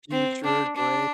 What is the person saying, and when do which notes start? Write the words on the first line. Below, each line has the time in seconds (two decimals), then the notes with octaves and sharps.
Future, Drake.
0.10 C4
0.44 D4
0.76 D4